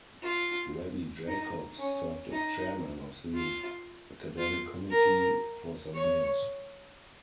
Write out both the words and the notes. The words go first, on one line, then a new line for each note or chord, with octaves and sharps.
Rabbi Jacobs served as Chairman of the Academic Committee for some years.
F4
D#4
C#4
D#4
F4
F4
A#4
C#5